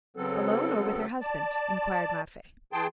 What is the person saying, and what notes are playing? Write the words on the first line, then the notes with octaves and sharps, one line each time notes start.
"Alone, or with her husband?" inquired Matvey.
C#3 F#3 B3 C4 A4
D5 A5
E3 G#4 G5 A5 C6